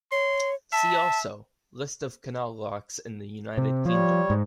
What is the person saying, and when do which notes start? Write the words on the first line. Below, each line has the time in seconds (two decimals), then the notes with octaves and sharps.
"See also" List of canal locks in the United Kingdom.
0.12 C#5 C6
0.73 E5 A5
3.57 C3
3.85 F3 G3 C#5
4.30 G#2